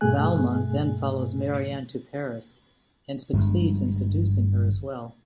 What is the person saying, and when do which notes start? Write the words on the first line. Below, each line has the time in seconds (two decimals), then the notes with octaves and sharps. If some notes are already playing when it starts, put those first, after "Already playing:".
Valmont then follows Marianne to Paris and succeeds in seducing her as well.
0.01 G2 B2 A3 G#4 G#5 F#6
3.33 G1 G2 G#3